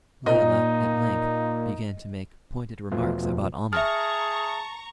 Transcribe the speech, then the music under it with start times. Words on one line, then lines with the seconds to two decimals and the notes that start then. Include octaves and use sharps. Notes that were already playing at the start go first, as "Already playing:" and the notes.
Layelah at length began to make pointed remarks about Almah.
0.26 A#2 D#4 D#5
2.92 E2 B2 F3 A3 F4 B4
3.73 G#4 E5 A5 A#5 C#6 F6